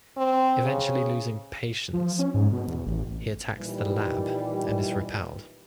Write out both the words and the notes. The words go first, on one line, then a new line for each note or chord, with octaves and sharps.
Eventually losing patience, he attacks the Lab and is repelled.
C4
C#3
F3
C#4
G#2
B2
E2
A1
A#2 D#3 E3 G3